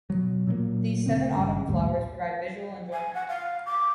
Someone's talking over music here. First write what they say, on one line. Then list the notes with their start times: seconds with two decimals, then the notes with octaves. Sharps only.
These seven autumn flowers provide visual enjoyment.
0.10 B2 F#3
0.47 A#2 F#3 G#3 A#3
1.06 D2 C#3 C4
1.36 G#1 G2 C#3
1.67 A#1 D#2 A2 G3
2.93 G#5
3.14 F#5
3.29 F5
3.66 D6